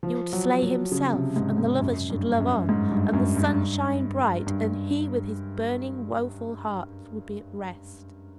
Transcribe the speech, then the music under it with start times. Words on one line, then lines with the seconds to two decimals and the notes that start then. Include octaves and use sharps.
He would slay himself, and the lovers should love on, and the sun shine bright, and he with his burning, woeful heart would be at rest.
0.03 F3
0.33 F#3
0.62 F#3
0.92 C#3
1.14 C3
1.36 G#2
1.58 G#2
1.80 F#2
2.10 G2
2.40 F#2
2.69 G#2
2.92 G2
3.13 F#2
3.36 G2
4.47 G2